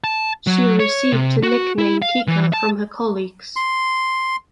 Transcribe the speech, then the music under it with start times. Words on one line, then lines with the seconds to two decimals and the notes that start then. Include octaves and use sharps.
She received her nickname "Kika" from her colleagues.
0.04 A5
0.47 F#3
0.80 C#5
1.12 C3
1.43 F#4
1.78 E4
2.02 F5
2.28 E3
2.53 A5
3.56 C6